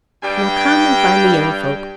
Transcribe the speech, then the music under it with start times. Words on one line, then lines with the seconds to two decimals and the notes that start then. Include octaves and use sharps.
Now, come and find the young folk.
0.24 G2 G3 G5